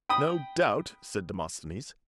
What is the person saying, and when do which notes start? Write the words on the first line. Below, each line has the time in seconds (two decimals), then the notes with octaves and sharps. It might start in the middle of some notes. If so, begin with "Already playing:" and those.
"No doubt," said Demosthenes.
0.09 G5 B5 D#6